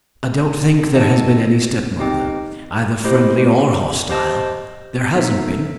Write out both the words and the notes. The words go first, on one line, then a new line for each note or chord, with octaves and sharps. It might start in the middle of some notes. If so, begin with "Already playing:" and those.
I don't think there has been any stepmother, either friendly or hostile? There hasn't been.
D#4 A4 D#5 F#5 A5
C4 D#4 G4 D#5 G5
A3 E4 G4 C5 D#5
G4 C5 D#5 A5
B3 D#4 A4 E5